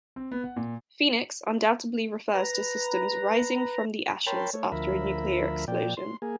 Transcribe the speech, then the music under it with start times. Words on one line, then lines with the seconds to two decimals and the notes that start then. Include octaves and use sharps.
"Phoenix" undoubtedly refers to systems "rising from the ashes" after a nuclear explosion.
0.16 C4
0.32 B3
0.44 F#5
0.56 A#2
2.34 B4 A#5
4.27 A#4 C#5 G5 A5 B5 C6
4.54 A3 C#5
4.72 D2 F3 A#4 E5 B5
5.68 A#2 F3 D5 G5
5.97 C6
6.22 A#3 G#4